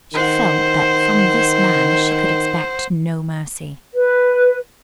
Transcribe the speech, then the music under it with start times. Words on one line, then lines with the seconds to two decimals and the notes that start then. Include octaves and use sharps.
She felt that from this man she could expect no mercy.
0.14 D#3 C5 F#5
3.94 B4